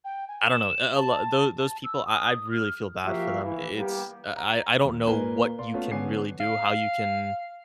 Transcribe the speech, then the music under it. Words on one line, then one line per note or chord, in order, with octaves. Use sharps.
I don't know, a a l tho those people I I really feel bad for them. I it's I I I don't know what you can really do, how you can,
G5
G#5
E7
A5
A5
E6
D#6
F6
F3 A#3 F#4 G4 E5 F5
E3
G3 A#3 B3 G4
A#5
D#2
A#2 A#3 A#4 B4 G#5 G7
D5 F5 C6
A3 B3 C#4 F4
D3 B3 C#4 G#5 D6 C7
F5